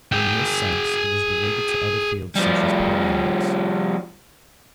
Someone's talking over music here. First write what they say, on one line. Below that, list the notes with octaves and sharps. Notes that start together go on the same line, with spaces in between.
In this sense, it is related to other fields such as proteomics.
G#4 G5
F3 G3